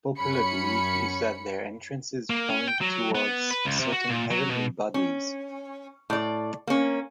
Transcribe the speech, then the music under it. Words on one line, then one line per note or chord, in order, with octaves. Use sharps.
Popular belief is that their entrances point towards certain heavenly bodies.
F#2 C#4 B5 C#7
A#3
C#4
G5
F#3
B3
B4
C#2
C3
F#4
A#2
F#3
B2
C#4
A2 D5
A#3 C#4